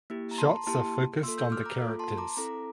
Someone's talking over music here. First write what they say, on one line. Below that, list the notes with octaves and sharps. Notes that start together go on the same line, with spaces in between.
Shots are focused on the characters.
A#3 E4 G4
A#5
A5 C6
A#3 E4 G4 A5 C6
A#3 F4 A4 C6 E6
E6 G6
D6 F6
A#5 D6
A#3 F4 A4
A5 C6
A#5 D6
C4 E4 A4 A#5 D6